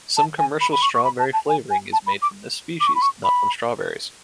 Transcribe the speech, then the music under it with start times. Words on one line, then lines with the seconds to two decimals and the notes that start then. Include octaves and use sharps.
Some commercial "strawberry flavouring" is made from this species, not from strawberries.
0.17 A5
0.39 G#5
0.61 B5
0.72 B5
0.82 C#6
0.94 C#6
1.04 B5
1.19 A5
1.33 A5
1.49 G#5
1.70 G#5
1.93 A5
2.07 B5
2.22 D6
2.80 D6
2.87 C#6
2.95 B5
3.02 C#6
3.24 B5